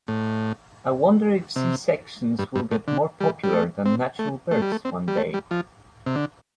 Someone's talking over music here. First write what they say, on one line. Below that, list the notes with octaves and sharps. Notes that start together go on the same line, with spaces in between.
I wonder if C-sections will get more popular than natural births one day.
A2
C3
G2
G2
A2
D3
G3
G3
A3
C4
A3
A3
G3
A3
C4
G3
A3
G3
F3
C3
D3